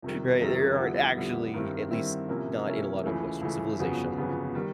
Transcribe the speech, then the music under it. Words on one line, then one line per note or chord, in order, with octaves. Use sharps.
right? There aren't actually- at least, not in a lot of Western civilization-
F2 C3 D#3 G3
F2 C3 D#3 G3
F2 D3 G3 B3 E4
F2 D3 G3 B3 E4
G2 D#3 G3 C4 E4
G2 D#3 G3 C4 E4
C3 F3 A#3 C#4 E4
C3 F3 A#3 C#4 E4
C#2 C#3 E3 A3
C#2 C#3 E3 A3
G1 F2 C#3 F#3 B3
G1 F2 C#3 F#3 B3
D#3 G3